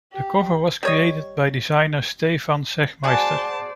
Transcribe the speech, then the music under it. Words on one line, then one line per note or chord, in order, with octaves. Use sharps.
The cover was created by designer Stefan Sagmeister.
G4
G3 C#5 D#5
F#4 G#4 C5 D5 A5